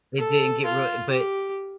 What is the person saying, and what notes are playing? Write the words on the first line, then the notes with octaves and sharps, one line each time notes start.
It didn't get real but
A4
F4
G4